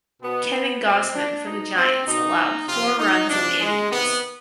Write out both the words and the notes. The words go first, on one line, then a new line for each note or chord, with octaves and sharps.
Kevin Gausman for the Giants allowed four runs in innings.
B2 B3
B2 C4
D4
B2 D#4
C4
B2 D#4
C3 F3 F4
D#4
C3 F3 D4
G#3
C3 D#3 B3